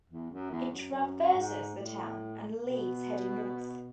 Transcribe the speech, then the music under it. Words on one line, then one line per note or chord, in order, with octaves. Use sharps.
It traverses the town, and leaves heading north.
E2
F#2
E2
F#2
F#2
G#2
A2
B2